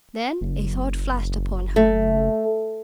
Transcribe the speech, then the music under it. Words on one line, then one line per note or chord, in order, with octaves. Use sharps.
Then a thought flashed upon her.
F#1
A3